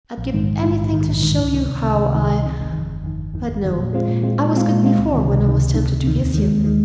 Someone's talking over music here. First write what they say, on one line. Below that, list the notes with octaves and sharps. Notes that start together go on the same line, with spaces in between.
I'd give anything to show you how I--but no. I was good before, when I was tempted to kiss you.
A#1
G#2 D#3
A#1
G#2 D#3
A#1
G#2 D#3
A#1
G#2 D#3
C#2
C3 D#3
C#2
C3 D#3
C#2
C3 D#3
C#2
C3 D#3
G1
D#3
F2
G1
F2 D#3
G1
F2 D#3
G1
F2 D#3
A#2
G#3 C4 F4
A#2
G#3 C4 F4
A#2
G#3 C4 F4
A#2
G#3 C4 F4
C#2
C3 D#3
C#2
C3 D#3
C#2
C3 D#3
C#2
C3 D#3
D#2
D#3 G#3
D#2
D#3 G#3